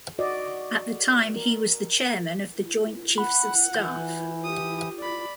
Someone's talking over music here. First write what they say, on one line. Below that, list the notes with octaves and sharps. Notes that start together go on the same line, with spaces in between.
At the time he was the Chairman of the Joint Chiefs of Staff.
F#4 D5 D#5
A#4
F#5 B5
E3 G6
G4 D#6
D5 B5